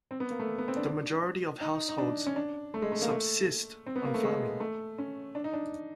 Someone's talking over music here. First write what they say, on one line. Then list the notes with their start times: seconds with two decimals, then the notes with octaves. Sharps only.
The majority of households subsist on farming.
0.11 C4
0.20 B3
0.30 A#3
0.40 A3
0.59 B3
0.68 C4
0.77 D4
1.61 D#4
1.89 D#4
1.98 D4
2.27 C#4
2.36 D4
2.74 A3
2.82 G#3
2.92 A3
3.02 A#3
3.10 A3
3.87 C4
3.96 B3
4.05 A#3
4.14 A3
4.23 G#3
4.60 A3
4.98 C#4
5.35 D4
5.44 D#4
5.53 D4